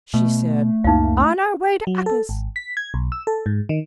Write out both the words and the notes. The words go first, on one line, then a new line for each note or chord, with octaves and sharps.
She said, 'On our way to Aklis.'
B2 A3
C#2 F#2 A#3 D#4 F5
F#3
A4
G#1
B6
G#6
B1
E6
A4
G#2
D#3